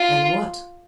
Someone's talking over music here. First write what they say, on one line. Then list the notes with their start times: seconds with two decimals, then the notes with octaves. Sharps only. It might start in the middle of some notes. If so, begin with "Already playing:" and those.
"And what?"
Already playing: F4